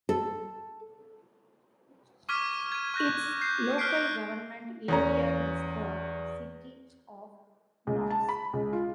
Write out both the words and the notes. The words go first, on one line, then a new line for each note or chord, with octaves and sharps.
Its local government area is the City of Knox.
A4
C#6 D6 F6 G#6 B6 D#7
G#6 D#7
C#6 F#6 G6 A#6
F#6 G6 C7
F6 F#6 B6 C7 D7
E2 C#4 A#5
C#2
A5
B5
C#2
F4